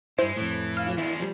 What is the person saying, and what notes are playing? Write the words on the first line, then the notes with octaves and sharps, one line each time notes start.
you know,
G2 G#3 E4 C5
F2 A2 E3
F5
D2 E3 G#3 B3 E4
F3 G3